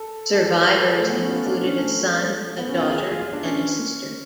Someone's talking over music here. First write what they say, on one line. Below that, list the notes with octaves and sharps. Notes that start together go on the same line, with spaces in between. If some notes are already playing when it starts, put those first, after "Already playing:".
Survivors included a son, a daughter and a sister.
Already playing: A4
A4
A4
A4
B4
A4
G#4
A3
B3
C#4
F4
D4
C#4
A3
B3
C#4
F4
G#4
F4
F4
D4
C#4